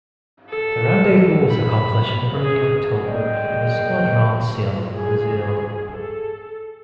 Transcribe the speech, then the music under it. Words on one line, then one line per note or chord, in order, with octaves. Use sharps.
The rendezvous was accomplished in early October and the squadron sailed for Brazil.
A4
B5
G#4
F#2 G#3 A#3 D5 D#5 G5
G#4
A4